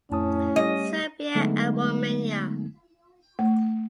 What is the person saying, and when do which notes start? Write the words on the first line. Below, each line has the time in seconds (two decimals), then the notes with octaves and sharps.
Serbia and Romania.
0.11 F2 A2 C#4 A5 D#6
0.56 G3 A3 G4 D#5
1.35 D3 F#3 G#3 A3 B3 D#4
3.39 A3